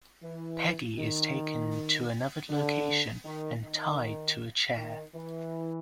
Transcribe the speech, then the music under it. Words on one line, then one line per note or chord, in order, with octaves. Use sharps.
Peggy is taken to another location and tied to a chair.
E3
D#3
D3
D#3
D#3
D#3
E3